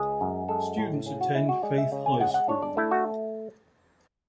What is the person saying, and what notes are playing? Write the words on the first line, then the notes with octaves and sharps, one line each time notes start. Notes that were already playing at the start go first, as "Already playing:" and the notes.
Students attend Faith High School.
Already playing: C#2 G#3 G#4
F#2
G#3 A4
A2
C#3 G#4
F#4
G#3 E4
F#4
G#3 D5
E5
C#3
G#5
G#3 F#5
F#5
D4 C#5
D5
A3 E4
F#4